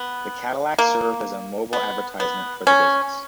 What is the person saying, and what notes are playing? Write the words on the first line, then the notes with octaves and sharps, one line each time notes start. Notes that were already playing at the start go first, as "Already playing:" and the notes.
The Cadillac served as a mobile advertisement for the business.
Already playing: B3
A#3
B3
B3
C#4